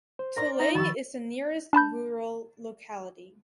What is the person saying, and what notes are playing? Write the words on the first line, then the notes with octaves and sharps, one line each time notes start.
Tulay is the nearest rural locality.
C5
A#4 D5 C6 A#6
D#4 E5 A#5 A#6
D#3 F3 B5 C#6 E6 A6
D4 A5 B5 G6